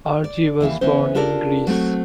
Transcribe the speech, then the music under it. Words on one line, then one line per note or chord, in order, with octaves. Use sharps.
Argea was born in Greece.
D5
D#2 E3 E4 F5
C#3 E3 B3 C#4 C5
D4 F4 G4 A4 A#4 D5
F#3 A3 C4 F#4